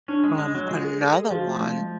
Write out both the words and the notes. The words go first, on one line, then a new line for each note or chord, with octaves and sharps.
um, another one
C#4 D4
G#3
G#3
F#3
G#3 F4
G#4
A4
G#4
F3 F#4
A3
A3
G#3